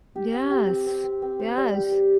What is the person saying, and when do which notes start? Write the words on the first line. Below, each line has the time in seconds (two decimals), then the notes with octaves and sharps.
Yes. Yes.
0.16 G4
0.33 C4
0.51 G4
0.68 C4
0.86 C4
1.04 C4
1.22 C4
1.40 C5
1.57 G3
1.74 G4
1.92 C5